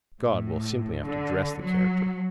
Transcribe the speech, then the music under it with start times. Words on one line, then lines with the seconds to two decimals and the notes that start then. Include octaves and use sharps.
God, we'll simply have to dress the character.
0.22 A2
1.04 D3
1.59 F#3